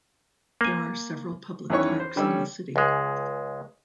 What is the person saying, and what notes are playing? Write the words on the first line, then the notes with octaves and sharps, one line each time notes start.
There are several public parks in the city.
A#3 G#5
E2 D#3 E3 C#4 C#5 C#6
C5
D3 G3 C#4 C#5 E6
C#2 G#3